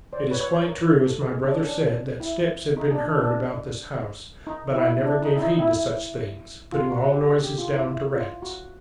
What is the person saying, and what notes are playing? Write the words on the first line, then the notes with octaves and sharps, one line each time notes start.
It is quite true, as my brother said, that steps have been heard about this house, but I never gave heed to such things, putting all noises down to rats.
C5 D5
B4 C#5
C#5
C5
A#4
A4
G#4
D4
C#4
D4
E4
D#4
D4
D4
D4
D#4
E4
D4
D#4
E4
D#4
E4
F4
F#4
G4
A4
G#4
G4
F4
E4
E4
F4
F#4